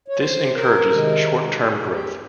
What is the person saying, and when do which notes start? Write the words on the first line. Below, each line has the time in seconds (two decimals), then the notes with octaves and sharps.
This encourages short-term growth.
0.08 C#5
0.18 C5
0.54 A#4
0.91 C3 D#3 G#3
1.65 G#4
1.90 G4